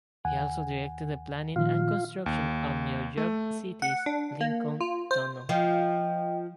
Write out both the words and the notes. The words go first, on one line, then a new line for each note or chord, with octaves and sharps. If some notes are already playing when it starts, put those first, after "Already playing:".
He also directed the planning and construction of New York City's Lincoln Tunnel.
D#2 F#5 G#5
A#2 D#3 F3 F4 F5
D#2
A3
F#5
D4
A#3
F4
C5
F3 D#5 G5